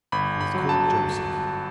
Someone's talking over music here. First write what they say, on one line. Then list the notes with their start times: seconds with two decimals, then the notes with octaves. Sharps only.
He was called Joseph.
0.12 G1 B5
0.41 B5
0.54 F#3
0.69 A5